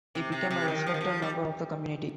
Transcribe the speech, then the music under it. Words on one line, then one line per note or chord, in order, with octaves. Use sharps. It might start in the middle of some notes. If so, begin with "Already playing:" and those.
He became a respected member of the community.
C3
C3
C3
D#3
F3
D#3
F3
G3